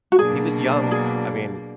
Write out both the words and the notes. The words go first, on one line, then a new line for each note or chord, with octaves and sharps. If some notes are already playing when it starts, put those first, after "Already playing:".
He was young, I mea
F#4
B2 F#3 A#3 D4 G#4
G#4